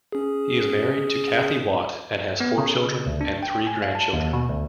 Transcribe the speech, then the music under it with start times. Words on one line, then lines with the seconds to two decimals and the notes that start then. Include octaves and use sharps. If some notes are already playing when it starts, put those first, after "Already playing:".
He is married to Cathy Watt, and has four children, and three grandchildren.
0.12 C#4 G#4
2.40 B3
2.58 C#3
3.06 D2
3.21 D4
3.43 G5
3.67 G#5
3.82 F5
3.95 A5
4.13 D#2
4.33 B2
4.49 D2